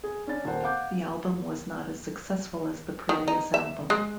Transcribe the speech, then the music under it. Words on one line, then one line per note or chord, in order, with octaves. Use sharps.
The album was not as successful as the previous album.
G#4
C#4 D4 A6
D#1 A#4 C5 F#5
F5 F#5 D6 G6
D#3
D#4
E5
G#3